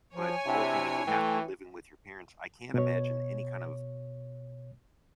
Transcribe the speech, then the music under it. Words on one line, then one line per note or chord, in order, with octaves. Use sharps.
but all I mean, you have to be living with your parents, I can't imagine any kind of
F3 C#5 G#5
C3 D4 E4 E5
E3 A3 G5
B2 C#5